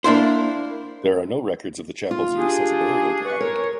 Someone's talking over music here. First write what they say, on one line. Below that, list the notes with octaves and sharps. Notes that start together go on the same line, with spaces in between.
There are no records of the chapel's use as a burial ground.
A#3 D4 E4 C5
F4
D4 G4 G#4
B4 C#6
A#4 C#5